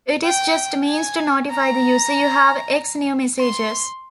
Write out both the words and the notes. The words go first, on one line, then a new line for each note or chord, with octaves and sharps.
It is just a means to notify the user "you have X new messages".
G5
G#5
A#5
C6